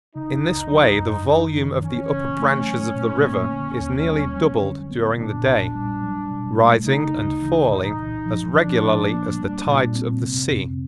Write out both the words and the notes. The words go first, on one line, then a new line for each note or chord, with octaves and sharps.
In this way the volume of the upper branches of the river is nearly doubled during the day, rising and falling as regularly as the tides of the sea.
C#3 D#4
C#2
F#3
F#2
G#1
D#3
E3 C#4
C#3
A3
F#3
A#2
A#3
D3
D#2
G3
F#3
D3
B3
A#2 D4
A#1
G3
F#3
B2
A3
C#3 D#4
D2
E3
A#2 D#4
C2
F3
F3 D4
A#2
A#3
G3
A#2
C4
C3
F2